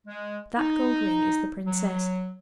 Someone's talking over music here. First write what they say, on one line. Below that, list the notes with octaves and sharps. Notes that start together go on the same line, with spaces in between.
That gold ring is the princess.
G#3
D#4
F#3